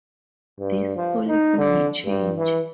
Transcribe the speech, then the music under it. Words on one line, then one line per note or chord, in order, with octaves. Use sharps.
This policy may change.
G2
F3
D#4
D3
G2
E3